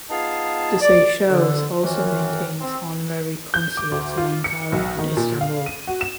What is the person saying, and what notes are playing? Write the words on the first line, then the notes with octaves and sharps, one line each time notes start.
The Seychelles also maintains honorary consulates in Ankara and Istanbul.
B3 D#4 F4 G#4 F5 A5
D5
D3
F#2 D#3 E3
C4
G6
D6
D2
F4
C#7
B1
D#3
A#2
F5
D#7
F#4
E7